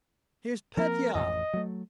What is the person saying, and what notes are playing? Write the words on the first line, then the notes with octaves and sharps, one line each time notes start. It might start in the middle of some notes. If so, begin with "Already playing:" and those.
Here is Petya!
F3 A#3 C4 A#4
A1 F2 D#5
F#3 A3